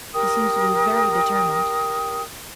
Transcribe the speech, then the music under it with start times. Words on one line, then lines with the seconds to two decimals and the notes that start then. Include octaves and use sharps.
He seems to be very determined.
0.14 G4 A#4 G5 D#6